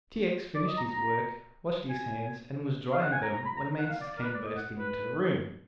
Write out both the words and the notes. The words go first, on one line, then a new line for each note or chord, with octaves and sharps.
T. X. finished his work, washed his hands, and was drying them when Mansus came bursting into the room.
D5
D#5
A#5
A#5
G#5
F5
F#5
G#5
A#5
A#5
B5
A#5
F#5
F5
D5
D5
A#4
B4
D5
D#5
F#5
B4